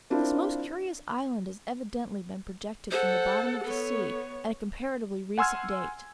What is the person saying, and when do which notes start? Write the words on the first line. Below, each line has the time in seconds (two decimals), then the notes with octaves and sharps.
This most curious island has evidently been projected from the bottom of the sea at a comparatively recent date.
0.10 C4 D4 E4 F4 A#4 C5
2.91 A4 C5 F#5
3.65 B3 A4 C#5
5.38 F#5 G#5 C6 E6 F6 G#6